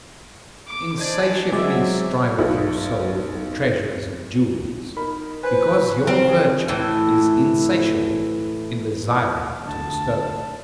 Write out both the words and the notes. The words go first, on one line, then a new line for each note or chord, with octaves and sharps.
Insatiably striveth your soul for treasures and jewels, because your virtue is insatiable in desiring to bestow.
D6
D4 C5 D5 D#5 G#5
F#3 G#3 C4 D5 E5 G#5
B1
D#4 A#4 B5
B4 C5 G#5
C4 C#4 F4
C#4 F4 G#4
A2 E3
D2 A5